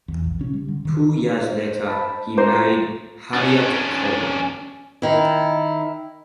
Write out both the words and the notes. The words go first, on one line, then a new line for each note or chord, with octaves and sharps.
Two years later he married Harriett Cowan.
E2
A#1
C#3 C#4
G3
D3
D#3
C5 D#5
D#5 A5 B5
F4 C5 A#5 C6 D6
C#4 D4
D#3 E4